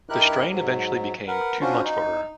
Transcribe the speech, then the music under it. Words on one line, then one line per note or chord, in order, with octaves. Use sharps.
The strain eventually became too much for her.
G2 D#4 E4 G4 A#4 F#6
G#2 F#3
A#4 B4 F#5
C#4 D4 F4 F#4 C5
D#4